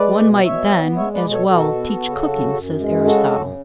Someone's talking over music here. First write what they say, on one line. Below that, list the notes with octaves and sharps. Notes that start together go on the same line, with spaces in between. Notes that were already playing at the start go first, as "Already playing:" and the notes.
One might then as well teach cooking, says Aristotle.
Already playing: G#3 B4 D5
B2
B2 C#5 E5
B3
G#3 C#5 E5
B4 D5
B2
A4 C#5
B2 F#4 A4
B3
C#3
F#2
F#2
G#3
C#3 F#4 A4
F#2